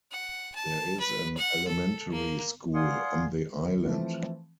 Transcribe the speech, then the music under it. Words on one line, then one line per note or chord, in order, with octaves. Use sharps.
There is an elementary school on the island.
F#5
A5
B4
F#5
A4
A#3
D5 F5 F#5 G#5 C6 D#6
E3 F3 A3 C4